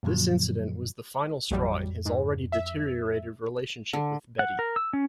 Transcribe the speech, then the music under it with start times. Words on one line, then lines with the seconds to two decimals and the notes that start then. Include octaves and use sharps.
This incident was the final straw in his already deteriorated relationship with Betty.
0.03 F#2 A#2 D3 F3 F#3
1.50 A1 F2 F#3 G3
2.05 G#2
2.52 E5
3.93 D3
4.39 F#5
4.59 A#4
4.76 E6
4.93 C#4